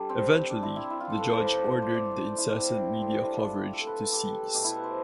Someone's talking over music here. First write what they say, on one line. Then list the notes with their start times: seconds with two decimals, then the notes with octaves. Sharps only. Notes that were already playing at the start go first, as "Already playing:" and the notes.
Eventually, the judge ordered the incessant media coverage to cease.
Already playing: D3 G3 D4
0.09 C4
0.50 D4
0.63 E4
0.76 E4
0.90 E4
1.00 F4
1.10 A4
1.20 B4
1.30 A2 F3 A3 C5
1.39 D5
1.47 C5
1.71 D5
1.82 C5
1.95 D5
2.11 D5
2.25 C5
2.38 E4
2.51 C4
2.91 D3 G3
3.02 C4
3.12 D4
3.23 E4
3.33 F4
3.73 A4
3.87 B4
4.00 A4
4.13 G4
4.54 B2 A3 G4
4.64 E4
4.77 B4
4.84 C5